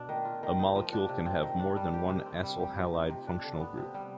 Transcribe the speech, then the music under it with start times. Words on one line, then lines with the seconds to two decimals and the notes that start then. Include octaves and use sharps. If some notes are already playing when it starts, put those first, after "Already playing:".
A molecule can have more than one acyl halide functional group.
Already playing: B2 D4
0.09 D#3
0.25 F4
0.43 D#3
0.59 D#4
0.75 F3
0.93 D4
1.09 C3
1.26 C4
1.43 D#3
1.59 D4
1.77 G3
1.94 G4
2.09 C3
2.26 C4
2.43 G3
2.59 G4
2.77 F3
2.93 D#4
3.10 C3
3.27 D4
3.44 D3
3.60 B3
3.77 C3
3.94 G3